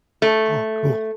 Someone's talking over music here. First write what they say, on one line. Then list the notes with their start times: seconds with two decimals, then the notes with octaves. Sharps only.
Oh, cool.
0.22 A3